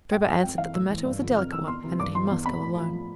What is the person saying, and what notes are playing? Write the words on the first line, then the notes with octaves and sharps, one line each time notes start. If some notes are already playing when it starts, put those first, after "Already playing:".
Drebber answered that the matter was a delicate one, and that he must go alone.
G2 G5
F3 F5
F2 G5
E3 F5
A2 E6
E3
G2
D3 F3
F2 F6
E3 E6
E2 C6
C3 E3
G2 D6
E3 C6
E2
B2 B5
A2
F3